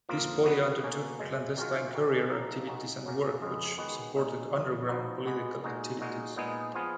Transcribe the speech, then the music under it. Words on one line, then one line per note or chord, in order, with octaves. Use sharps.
This body undertook clandenstine courier activities and work which supported underground political activities.
F2 F3 A#3 F4
C#3 F#3 B3 F#4
B2 A#3 C#4
F#2 C#3 G#3
D#3 F#3 C#4 F4
D#3 F#3 C#4
F3 A#3 D#4
C#3 G#3 D#4 F#4
F#2 C#3 F#3 A#3 C#4
F2 C#3 G#3 B3
D#3 G#3 B3 F#4
A#2 G#3 D#4
F2 D#3 F#3
F3 B3 D#4 F#4
B2 G#3 B3 F#4
A#2 G#3 D#4 F#4
A#2 G#3 D#4 F#4
A#2 G#3 B3 D#4 G#4
F3 B3 F4 G#4